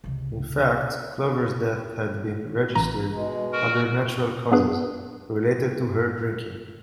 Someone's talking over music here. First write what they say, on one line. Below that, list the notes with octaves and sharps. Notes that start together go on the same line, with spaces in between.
In fact, Clover's death had been registered under natural causes, related to her drinking.
C#2 C3
A1 A#5
B2 G#3
F#4 A#4
B3 D4 G#4 B4